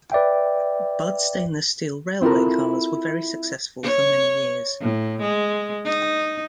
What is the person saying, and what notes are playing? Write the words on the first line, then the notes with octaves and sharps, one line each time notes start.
Budd stainless steel railway cars were very successful for many years.
B4 D5 E5 G5
C4 E4 F4 A4 A#4
C#5
A2
G#3
D#4